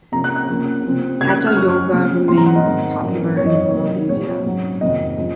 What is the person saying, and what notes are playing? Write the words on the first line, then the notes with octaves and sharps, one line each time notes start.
Hatha yoga remained popular in rural India.
C3 F3 A#3 C#4 A#5
F#6
F#6
C#3 F3 A#3 C#4
C3 F3 C4
C#3 F3 A#3 C#4 G#6
F#6
F6
F#2 F3 G#3 C#4 C#6
C#3 G#3 C4
G#2 F#3 C4 C6
A#5
F#5
D#5
G#2 D#3 G#3 C4
A#2 F#3 A#3 C#4
F#2 F3 C4 C#5
D#5
C#5
C3 F#3 A#3
A#2 G#3 C4 C#5
G#2 F#3 C#4
F2 C3 D#3 D#5
F3 G#3 C#4